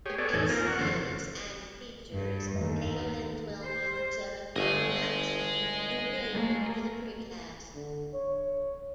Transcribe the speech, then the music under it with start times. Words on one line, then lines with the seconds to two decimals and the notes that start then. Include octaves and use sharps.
The base is and features Neyland's well-known seven Game Maxims engraved into the precast.
0.06 G4 G#4 C#5
0.18 B3 G#4 A4 C#5 D5
0.33 E2 A2 D#4 A4 G#5
0.49 A#3 C4 F4 A#4
0.67 D4 F#5 C#6
0.81 F2 C#3 E3 C4 A4 C6
2.13 G2
2.57 D#2
3.63 C5
4.56 G1 A3 D#5 G#5
6.33 A3 A#3
7.75 D3
8.14 C#5